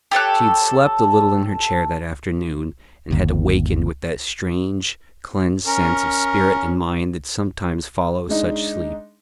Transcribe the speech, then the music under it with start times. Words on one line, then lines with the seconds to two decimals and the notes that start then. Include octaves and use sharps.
She had slept a little in her chair that afternoon, and had awakened with that strange cleansed sense of spirit and mind that sometimes follows such sleep.
0.11 G4 A4 C#5 F#6
3.11 G1 D#2
5.67 C#4 A#4
8.29 G#3 D4 D#4